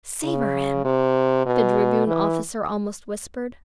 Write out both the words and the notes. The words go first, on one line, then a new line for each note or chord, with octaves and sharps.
"Saber him!" the dragoon officer almost whispered.
C#3
C3
B2
E3